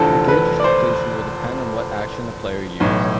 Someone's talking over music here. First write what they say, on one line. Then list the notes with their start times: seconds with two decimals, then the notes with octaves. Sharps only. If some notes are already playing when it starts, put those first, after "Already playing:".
The gauge's depletion will depend on what action the player used.
Already playing: F1 E2 D3 F3 A4
0.28 B4
0.60 D5
0.64 C5
2.80 B1 A2 E3